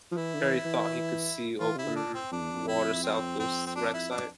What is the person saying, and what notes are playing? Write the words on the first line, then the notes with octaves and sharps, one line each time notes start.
Parry thought he could see open water south of the wreck site.
F3
E3 E4
D3
E3
E3
E3 F4
C3 E4
D3
D4
C4
F2 D4
E2
F2
E4
C4
C4
C4
D4
E4
D4